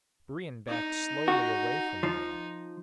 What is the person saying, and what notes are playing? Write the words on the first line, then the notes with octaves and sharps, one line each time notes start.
Brion backed slowly away from the man.
D#4
F#4
F3